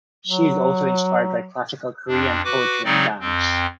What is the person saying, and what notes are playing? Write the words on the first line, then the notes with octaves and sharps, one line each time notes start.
She is also inspired by classical Korean poetry and dance.
F#3
F2 D4
F#4 B4 D6
C#3 F#3 C4 D#4 D5
F2 C4